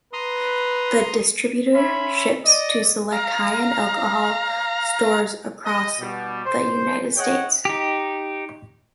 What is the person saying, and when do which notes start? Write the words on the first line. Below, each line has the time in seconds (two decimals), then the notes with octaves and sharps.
The distributor ships to select high end alcohol stores across the United States.
0.13 B4 A#5 C6 D#6
1.74 C#4 C#5 E5 B5 C6
2.44 D5 D#5
3.12 F5 A#5
5.66 D#5
6.00 B2 G3
6.46 C5
7.16 G#4 C#5 D#5 F#5 G5
7.65 D#4 G4